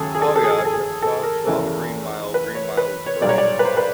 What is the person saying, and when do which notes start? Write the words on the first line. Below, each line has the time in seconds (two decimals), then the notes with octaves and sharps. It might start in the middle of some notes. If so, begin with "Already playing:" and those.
Oh, yeah, I s I saw saw The Green Mile, Green Mile is great.
Already playing: D#2 C#3 F#3 A3 G#4 A4
0.15 G#4
0.22 A4
0.28 G#4
0.36 A4
0.44 G#4
0.50 A4
0.58 G#4
0.65 A4
0.73 G#4
1.02 A4
1.23 A#4
1.46 E2 C#3 E3 A3
2.34 B4
2.55 C#5
2.77 B4
3.06 C#5
3.21 B1 A#2 G3 D5
3.29 C#5
3.38 D5
3.59 B4
3.65 C5
3.77 B4